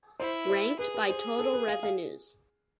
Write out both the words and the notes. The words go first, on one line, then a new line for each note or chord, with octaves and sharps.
Ranked by total revenues.
E4 C5
C5
G#4 B4
B4
C5
A4
B4
F5
F5